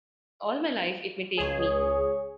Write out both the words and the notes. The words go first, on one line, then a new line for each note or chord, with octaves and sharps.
All my life it may take me!
C#2 G#4 C#5